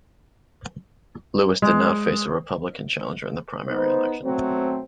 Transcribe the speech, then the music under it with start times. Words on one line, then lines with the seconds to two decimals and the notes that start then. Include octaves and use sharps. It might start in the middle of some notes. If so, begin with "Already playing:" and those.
Lewis did not face a Republican challenger in the primary election.
1.62 G#3
3.67 B3 D#4 C5
4.23 B2 F#3 A3 C4